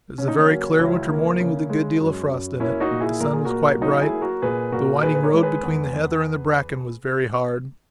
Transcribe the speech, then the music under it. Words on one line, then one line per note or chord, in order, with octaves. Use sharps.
It was a very clear winter morning, with a good deal of frost in it. The sun was quite bright, the winding road between the heather and the bracken was very hard.
C#3 C#4
D#4
A#3 C#4
F#3
C#2 C#4 E4
A#3
C#3
G#3
F#2
F#2
A#3 C#4 E4
D#4 F#4
A#2
E4 G#4
A#2 A#4
G#4
F#4 A#4
A#3
F#3 D#4 F#4
E4 G#4
A#3
F#4 A#4
A#2 G#4 B4
A#2 F#4 A#4
D#3 G#4 B4
B4
A#4 C#5
G#3
G#4 B4
E2
E2